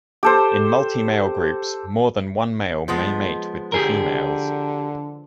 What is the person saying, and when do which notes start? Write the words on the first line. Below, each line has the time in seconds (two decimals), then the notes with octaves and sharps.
In multi-male groups, more than one male may mate with the females.
0.23 G4 A4 C5
2.88 F3 G#3 B3
3.72 D3 G4 G#4 A#4